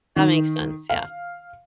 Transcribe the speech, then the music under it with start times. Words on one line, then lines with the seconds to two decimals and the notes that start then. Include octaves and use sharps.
That makes sense, yeah.
0.16 D#3
0.90 F5